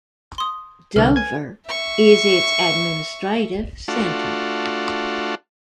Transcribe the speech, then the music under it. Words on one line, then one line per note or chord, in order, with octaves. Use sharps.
Dover is its administrative centre.
C6 D#6
C2 D3 A4 B4 F6
G#5 G#6
E5 C#6
A3 D4 F4 F#4